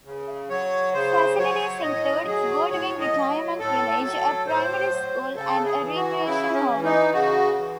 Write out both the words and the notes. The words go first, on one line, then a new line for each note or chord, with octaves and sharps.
Facilities include the Goodwin Retirement Village, a primary school and a recreation oval.
C#3
F#3 C#5
C#3 C5
F#3 C#5
A2 D#5
F#3 G#4
A2 C#5
D#5
F#3
A2 A4
F#3 A4
A2 C5
F#3
C#3 A4
G#4
E3
F#4
C#3 E4
C#4
E3
D#4
C#3 F#4
E3